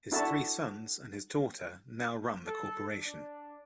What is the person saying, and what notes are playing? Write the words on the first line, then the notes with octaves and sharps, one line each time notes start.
His three sons and his daughter now run the corporation.
D4 E4 F#4 A4 E5 A5
A4
D4